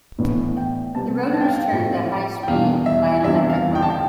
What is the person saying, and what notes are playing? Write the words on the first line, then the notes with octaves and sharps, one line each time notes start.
The rotor is turned at a high speed by an electric motor.
A2 E3 B3 D4
G5
C3 G3 B3 A5
A5
G5
F5
G5
A2 F3 A3 C4
G5
E2 B2 G3 D4 F5
E5
E2 C3 G3 D4 E5
F5
G5
A5
G5